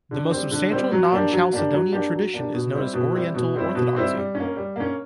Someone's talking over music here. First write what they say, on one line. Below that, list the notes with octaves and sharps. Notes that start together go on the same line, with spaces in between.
The most substantial non-Chalcedonian tradition is known as Oriental Orthodoxy.
D3
G3 C4
D3
G3 C4
F#3
A#3 D4 G4
F#3
A#3 D4 G4
F#3
A#3 D4 G4
F#3
A#3 D4 G4
B2
G3 C4 E4
B2
G3 C4 E4
B2
G3 C4 E4
B2
G3 C4 E4
G3
C#4
A#3
G3
A#3 C#4